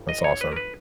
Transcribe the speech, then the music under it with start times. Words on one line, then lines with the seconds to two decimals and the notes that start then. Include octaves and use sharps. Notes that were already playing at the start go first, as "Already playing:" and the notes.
that's awesome.
Already playing: G1 G2 D#3
0.09 D#5
0.24 C#5
0.41 B4
0.52 A#4
0.56 B4